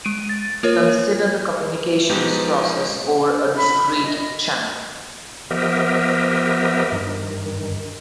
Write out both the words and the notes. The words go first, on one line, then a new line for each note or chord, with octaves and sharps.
Consider the communications process over a discrete channel.
G#3 D7 D#7
A6
A#3 F4 A#4 C#5
B2 F3 G#3 D#4 G4 B4
B5
D#5
F3 B3 G4 A#4 D#5 E5
G2 D#3